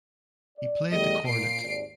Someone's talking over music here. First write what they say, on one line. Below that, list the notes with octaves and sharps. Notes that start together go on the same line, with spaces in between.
He played the cornet.
D5
E2 G3 A3 D#5
A#2 C7 D7
G#1 D#2 D5